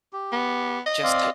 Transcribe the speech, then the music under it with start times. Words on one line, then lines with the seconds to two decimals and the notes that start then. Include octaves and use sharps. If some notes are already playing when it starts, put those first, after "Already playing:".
just to
0.13 G4
0.32 B3
0.86 D#5
1.03 C4 D5 F5